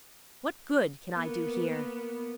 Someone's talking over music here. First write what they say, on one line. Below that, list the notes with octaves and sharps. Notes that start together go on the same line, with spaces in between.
What good can I do here?
A#3 B3